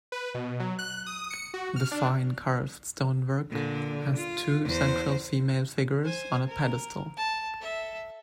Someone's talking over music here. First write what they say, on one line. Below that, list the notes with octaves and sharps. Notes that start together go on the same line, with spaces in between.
The fine carved stonework has two central female figures on a pedestal.
B4
B2
F#3
F#6
D#6
C#7
F#4
F6
D4
A#2 D3
F4
E2 C5
C5 G#5
A#4
A5
A4 E5